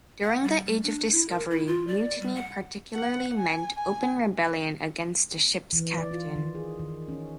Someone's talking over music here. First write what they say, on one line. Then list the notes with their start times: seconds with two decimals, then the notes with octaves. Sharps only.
During the Age of Discovery, mutiny particularly meant open rebellion against a ship's captain.
0.23 F#5
0.44 G3
0.66 G3
0.83 D4
1.12 E4
1.29 A#4
1.51 E4
1.67 F4
1.87 D5
2.20 G3
2.35 F#5
2.94 F#5
3.39 G#5
3.77 G#5
5.73 E3
5.98 D5
6.11 F4
6.36 D#3
6.55 G#4
6.79 D#3
7.08 C#4